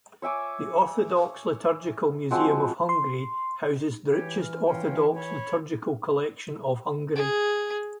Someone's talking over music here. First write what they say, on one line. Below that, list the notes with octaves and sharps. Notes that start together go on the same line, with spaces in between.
The "Orthodox Liturgical Museum of Hungary" houses the richest Orthodox liturgical collection of Hungary.
C#5 E5 G#5 D6
F3 G#3 C4 F#4
C6
E3 G4 C#5
F6
C#4 F4 G5
C#5 B5
G#4